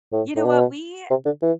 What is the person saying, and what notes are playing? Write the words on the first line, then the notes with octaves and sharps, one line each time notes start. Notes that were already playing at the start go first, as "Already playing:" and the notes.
You know what? We,
A2
A2
B2
C3
D3
E3